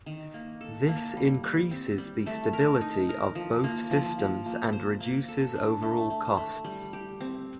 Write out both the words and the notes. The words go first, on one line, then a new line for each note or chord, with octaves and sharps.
This increases the stability of both systems and reduces overall costs.
D#3
A#3
A4
A#3
G3
G3
C4
G3
A3
A#4
D#4
A#4
F3
A#3
F3
F3
A#3
C5
A#3
A4
D4
A3
A3
A3
G3
G4
C4